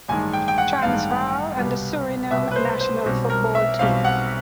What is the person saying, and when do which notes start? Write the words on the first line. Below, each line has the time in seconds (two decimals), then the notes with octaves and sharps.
Transvaal and the Suriname national football team.
0.08 A1 G2 D#3 G#3 G#5
0.33 G5
0.48 G5
0.58 F#5
0.82 A1 G2 D#3 G#3 F5
1.57 C2 B2 G3 B3
2.31 C2 B2 G3 B3 E5
2.51 B4
2.56 C5
2.81 C5
3.06 B1 B2 G3 C4
3.30 A#4
3.55 E5
3.79 B1 B2 G3 C4 F5
4.04 F#5